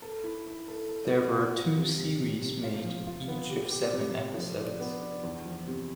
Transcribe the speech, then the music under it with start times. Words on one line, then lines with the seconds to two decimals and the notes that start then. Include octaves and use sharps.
There were two series made; each of seven episodes.
0.02 A4
0.24 E4
0.46 E4
0.68 A4
0.89 A4
1.11 B3
1.32 B3
1.54 F4
1.76 C3
1.98 C3
2.19 C3
2.41 C3
2.63 F4
2.84 F3
3.07 F4
3.28 B3
3.50 G4
3.71 G4
3.93 C3
4.15 G4
4.37 F3
4.58 D4
4.80 B3
5.01 D4
5.23 E2
5.45 F3
5.66 C3